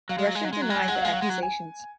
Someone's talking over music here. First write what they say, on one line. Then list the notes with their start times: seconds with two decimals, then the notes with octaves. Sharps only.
Russia denied the accusations.
0.09 F#3 F5
0.19 G#3
0.27 F#3
0.35 G#3
0.45 F#3
0.53 G#3
0.62 F#3
0.70 G#3
0.76 F#3 G#5
0.88 G#3 F#5
0.95 F#3
1.01 G#3 F5
1.13 F#3 F#5
1.22 G#3
1.30 F#3
1.42 G#5